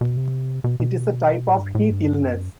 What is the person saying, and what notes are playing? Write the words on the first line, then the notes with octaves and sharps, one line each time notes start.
It is a type of heat illness.
B2
C3
B2
B2
A2
G2
A2
G2
F#2